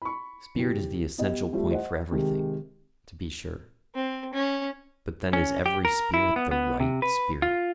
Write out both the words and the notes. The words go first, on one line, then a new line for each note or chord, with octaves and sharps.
Spirit is the essential point for everything, to be sure; but then is every spirit the "right" spirit?
B5 C#6
F#1 G4
B3 G4 D#5
F3 G3 A3
C5 D#5 F#5
C3 D#3 G#3 G4
C4
C#4
C#4
G4
A#4
E4
B3
B3
C3
B4
F4